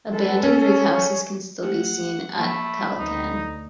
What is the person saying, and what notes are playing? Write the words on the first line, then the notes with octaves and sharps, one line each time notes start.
Abandoned Greek houses can still be seen at Kalkan.
G#3 A4 B4
C#4 G#4 C#5
A3 G4 F#5
F3 A3 A#3 B5
D2 D#4